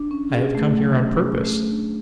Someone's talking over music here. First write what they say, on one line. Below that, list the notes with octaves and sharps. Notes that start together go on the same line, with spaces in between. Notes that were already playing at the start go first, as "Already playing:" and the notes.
I have come here on purpose.
Already playing: D4
C#4
G#4
A3
F#3
C#4
G#4
A3
D4